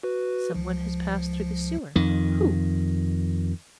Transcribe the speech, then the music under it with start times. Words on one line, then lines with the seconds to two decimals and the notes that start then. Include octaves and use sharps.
Some one has passed through the sewer. Who?
0.03 F#4 B4
0.54 C#2 F3
1.96 F2 D#3